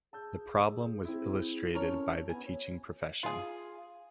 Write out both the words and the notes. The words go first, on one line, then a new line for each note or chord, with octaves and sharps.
The problem was illustrated by the teaching profession.
G#4 A5 E6 G6
C4 E4
C#4 A4 A#4 C#5
B3 G#5
C#5
F4 G#4